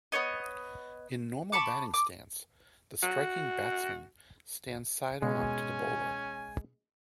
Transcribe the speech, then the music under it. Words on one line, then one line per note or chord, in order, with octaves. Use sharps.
In normal batting stance, the striking batsman stands side on to the bowler.
B3 F#4 C#5 D#5
A5 B5 C#6 D6
D6
F#4
B2 G#3 C#4 G#5